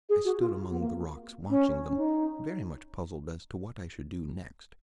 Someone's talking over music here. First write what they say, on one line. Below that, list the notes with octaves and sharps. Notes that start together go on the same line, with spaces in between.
I stood among the rocks watching them, very much puzzled as to what I should do next.
G#4
F#4
F4
B3
A#3
C#4
C#4
D#4